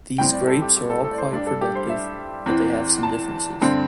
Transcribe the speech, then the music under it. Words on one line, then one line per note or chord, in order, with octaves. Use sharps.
These grapes are all quite productive, but they have some differences.
A2 G3 C4 G5
D5
A4
G4
G4
A4
A4
D5
C5
G2 G3 D4 D5
A4
G4
C5
E5
E2 E3 C4
A5
G2 D3 C4